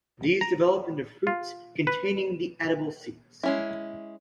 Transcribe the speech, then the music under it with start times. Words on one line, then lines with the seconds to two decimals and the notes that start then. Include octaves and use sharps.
These develop into fruits containing the edible seeds.
0.41 A#5
1.27 F4
1.87 B4
3.43 G#3 C#4 E4